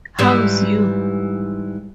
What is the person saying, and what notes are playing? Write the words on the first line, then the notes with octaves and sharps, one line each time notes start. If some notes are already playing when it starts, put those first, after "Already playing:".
Hows you?
G#2 E3 G3